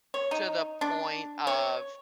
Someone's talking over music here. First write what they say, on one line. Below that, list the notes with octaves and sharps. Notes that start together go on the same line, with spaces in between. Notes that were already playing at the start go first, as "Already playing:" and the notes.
to the point of,
C#5
D#4
D4
C#5